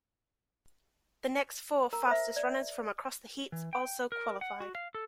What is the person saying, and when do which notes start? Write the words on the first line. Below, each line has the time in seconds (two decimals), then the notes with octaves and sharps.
The next four fastest runners from across the heats also qualified.
1.93 A#4 A#5
2.07 C5 E5
2.36 D5
3.52 E3
3.73 G5
4.12 A#4
4.41 F#5
4.60 F#4
4.75 F5
4.95 A4